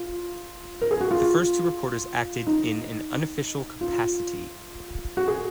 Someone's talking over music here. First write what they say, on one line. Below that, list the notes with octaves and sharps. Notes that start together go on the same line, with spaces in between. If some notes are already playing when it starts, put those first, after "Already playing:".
The first two reporters acted in an unofficial capacity.
Already playing: F4
A#4
G#4
F#4
F4
D#4
F4
F#4
G#4